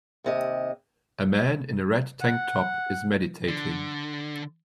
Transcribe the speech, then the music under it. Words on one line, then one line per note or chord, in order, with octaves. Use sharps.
A man in a red tank top is meditating.
D#2 C3 D#5
F#5
D3